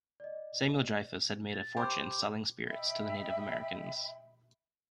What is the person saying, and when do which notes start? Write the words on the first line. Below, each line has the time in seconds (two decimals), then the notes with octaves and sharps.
Samuel Dreyfuss had made a fortune selling spirits to the Native Americans.
0.20 D5 D#5
1.51 A6
1.77 G4 C5 B5 D6 G6
2.67 D#5 E5 G5 B5